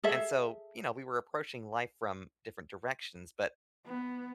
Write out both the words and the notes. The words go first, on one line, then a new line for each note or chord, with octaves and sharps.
And so, you know, we were approaching life from different directions, but
G#4 A4 E5
B3